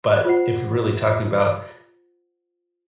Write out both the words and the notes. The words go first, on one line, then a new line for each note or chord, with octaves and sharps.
but if you're really talking about
F4 C5 F#5